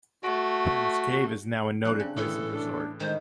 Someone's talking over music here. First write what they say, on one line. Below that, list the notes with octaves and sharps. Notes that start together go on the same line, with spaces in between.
Penns Cave is now a noted place of resort.
A3 F#4
F3 G3 D4 F#6
C#3 C4
A2 D#3 E3 A4
D4
D#3 G#3 C5